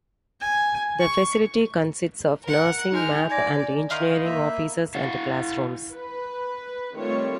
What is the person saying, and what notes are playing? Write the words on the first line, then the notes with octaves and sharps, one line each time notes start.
The facility consists of nursing, math and engineering offices and classrooms.
G#5
C#6
A#4 F#5
G#3 D#4 F6 G6
D5 G#5 G#6 A#6
D#3 D#4 E4 F5 C6
A#3 E5
E4 F5 F#5
B4
D#3 G3 A3 C4 F4 C#5